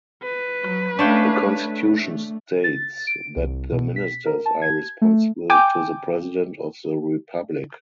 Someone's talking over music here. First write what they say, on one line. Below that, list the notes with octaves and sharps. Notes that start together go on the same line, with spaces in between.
The constitution states that the ministers are responsible to the president of the republic.
B4
F#3
A3 C#4 D4 C#5 F5 G5
A3
A6
D7
C2
B2
B6
A#4
A5
G#6
A3
G5 G#5 D6 G6